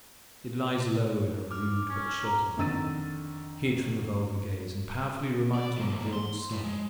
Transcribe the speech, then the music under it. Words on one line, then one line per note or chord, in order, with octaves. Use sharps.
It lies low in a rude, but sheltered valley, hid from the vulgar gaze, and powerfully reminds one of the old song.
D6 F6
C#4
A#5
F2 D3 D#3 E6 A6 D#7
D5
F3 F#3
E3 A#3
C6
A2
G#3